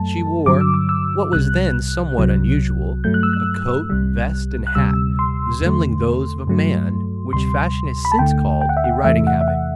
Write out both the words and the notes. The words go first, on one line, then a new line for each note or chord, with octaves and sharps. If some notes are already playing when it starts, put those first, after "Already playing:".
She wore, what was then somewhat unusual, a coat, vest, and hat, resembling those of a man, which fashion has since called a riding habit.
Already playing: F#2 F#3 A3 A5
G2 D3 F#3 D6
E6
D6
E6
C2 C3 G3 F#6
C2 C3 F#3
G2 F#3 A3 G6
F#6
E6
F#6
C2 C3 G3
F#6
D2 C3 G3 E6
C6
E2 D3 A3
G2 F#3 A3
D2 C3 G3 C6
B5
A5
D2 D3 A3 G5
G5
F#5
E5
F#5
E2 C3 E3 A3 E5
F#5
E5
F#5